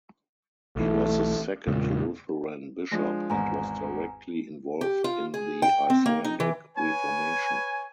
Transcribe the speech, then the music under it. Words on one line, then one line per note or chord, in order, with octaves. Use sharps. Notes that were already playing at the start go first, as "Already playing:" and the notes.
He was the second Lutheran bishop and was directly involved in the Icelandic Reformation.
B1 E3 A3
E2 A#2 C#3 G#3
F3 G#3 D4
G#1 E2 G#2 G#5 A#5
G4
F4
G#4
G5
C4
A#3
D#4
E3
B4 C#5 G#5